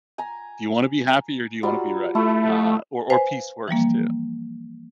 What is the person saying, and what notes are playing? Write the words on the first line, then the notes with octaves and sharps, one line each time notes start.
Do you wanna be happy or do you wanna be right? Uh, or or peace works too,
G#5 A#5
F#3 G3 F4
A3 E4
B4 C5 F5 G#5
E3 F3 G3 A#3